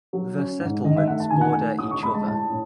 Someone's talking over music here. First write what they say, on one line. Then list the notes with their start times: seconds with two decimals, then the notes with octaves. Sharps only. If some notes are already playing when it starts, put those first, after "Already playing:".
The settlements border each other.
0.13 F#3
0.37 C#4
0.60 G#2
0.84 D#3 D#5
0.96 E5
1.08 A3 F#5
1.20 A5
1.30 D#3 G#5
1.41 F#5
1.52 A3 G#5
1.79 A2 D#6
1.91 C#6
2.03 G#3 B5
2.15 A5
2.26 A2 A5
2.50 A2